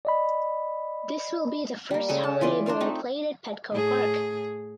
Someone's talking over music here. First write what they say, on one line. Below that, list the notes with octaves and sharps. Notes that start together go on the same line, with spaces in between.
This will be the first Holiday Bowl played at Petco Park.
D5 D#5 B5
G3 A#3
C#3 G#3 A4 G#5
A5
E3 F4 D5 D#5
D4 C5 D5 F5
A3 C4 D#4
A2 G#4